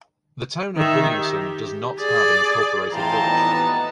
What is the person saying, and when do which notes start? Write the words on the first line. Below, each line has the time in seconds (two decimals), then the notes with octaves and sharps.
The town of Williamson does not have an incorporated village.
0.77 D#3 E5
1.17 G4
2.00 G#4 D5
2.93 F2 A2 E3 F5 G5 A5 A#5 C6
3.28 G3 B3 D#4